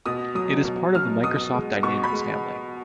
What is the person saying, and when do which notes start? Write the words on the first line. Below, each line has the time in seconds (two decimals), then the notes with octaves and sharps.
It is part of the Microsoft Dynamics family.
0.06 B2 D#6
0.35 F#3 D#6
0.65 B2
0.94 F#3 F6
1.24 B2 D#6
1.54 G#3
1.83 B2 C#6
2.03 B5
2.12 G#3